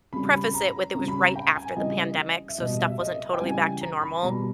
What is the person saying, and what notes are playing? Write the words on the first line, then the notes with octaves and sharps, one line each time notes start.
preface it with it was right after the pandemic, so stuff wasn't totally back to normal.
C#3 G3 B5
B5
A#5
C#3 G3 A#5
B5
A#5
G5
G#5
C#3 E3 G3 D#5
E5
B2 G3 D#5
E5
D#5
G5
C#3 E3 G3 G#5
A#5
B5
B2 G3 A#5